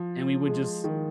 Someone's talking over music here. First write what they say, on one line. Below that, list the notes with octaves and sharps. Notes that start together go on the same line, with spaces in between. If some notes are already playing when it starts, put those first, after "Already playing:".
and we would just
Already playing: F3
G#3
D#3